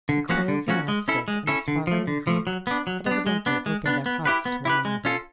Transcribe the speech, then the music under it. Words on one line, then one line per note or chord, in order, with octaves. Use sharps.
The quails in aspic and the sparkling hock had evidently opened their hearts to one another.
D3
F3 A#3 C#4 F#4
D3
F3 A#3 C#4 F#4
G#3
C#4 E4 A4
G#3
C#4 E4 A4
D3
F3 A3
D3
F3 A3
F#3
B3 D4
F#3
B3 D4
G#3
B3 D4
G#3
B3 D4
B3
E4 G4 B4
B3
E4 G4 B4
G#3
C#4 F4 A4